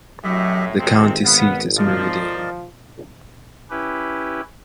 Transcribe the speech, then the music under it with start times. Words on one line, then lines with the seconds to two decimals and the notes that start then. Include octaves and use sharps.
The county seat is Meridian.
0.24 F#2 A2 F#3 G4 D#5 E5
0.78 G#1 F2 C3 C4 D#5
1.24 B3 F5
1.77 F3 A#4 D5 D#5
3.70 C#4 E4 G4 B4